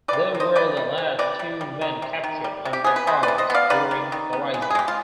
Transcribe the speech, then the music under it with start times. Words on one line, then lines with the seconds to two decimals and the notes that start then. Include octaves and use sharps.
They were the last two men captured under arms during the Rising.
0.08 C3 B4 D5
0.35 C3
0.40 C5 D#5
0.55 C3 B4 D5
0.77 G3
0.98 C3
1.19 C3 B4 D5
1.39 G3
1.61 G3
1.81 D#3
2.02 C3
2.24 D#3
2.44 G3
2.65 C3
2.73 G4
2.84 B3 G#4
2.96 B4
3.07 C3 G#4 C5
3.23 B4 D5
3.28 C3
3.38 C5 D#5
3.50 B3 D5 F5
3.70 D#3 B4 D5
3.91 D#3
4.12 D#3
4.33 B3
4.54 G#3
4.62 B4
4.70 G#4
4.75 G#3 G4
4.88 F4